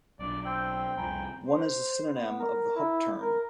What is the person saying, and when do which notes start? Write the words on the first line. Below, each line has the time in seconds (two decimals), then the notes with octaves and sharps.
One is a synonym of the Hook Turn.
0.19 B1 E3 D4 D5
0.45 C4 G5 E6 G6
0.97 C2 F2 F3 G5 G#5 A#5 B5
1.46 C5
2.11 B3
2.39 A#4
2.75 E4
3.21 A#4